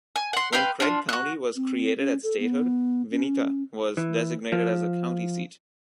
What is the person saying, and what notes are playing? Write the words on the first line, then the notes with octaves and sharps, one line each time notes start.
When Craig County was created at statehood, Vinita was designated as the county seat.
G#5
F#5 C6
B4 F5 G5 C6
D4 F4
F#4 F#6
C4
C#4
A4
B3
C#4
E3
F3